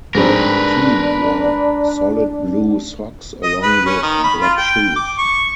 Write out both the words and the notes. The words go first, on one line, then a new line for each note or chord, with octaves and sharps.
The team wore solid blue socks along with black shoes.
G#2 G3 C4 D4 A#4 B4
D#5
B4
C#4
D#3
B5
F4
G5
D6
C#6